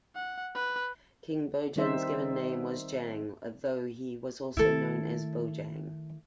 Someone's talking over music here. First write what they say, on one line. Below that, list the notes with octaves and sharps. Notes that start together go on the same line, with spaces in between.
King Bojang's given name was Jang, though he was also known as Bojang.
F#5
B4
D#3 G3 C4 D#4 C5 E5
D#3 A3 E4 A4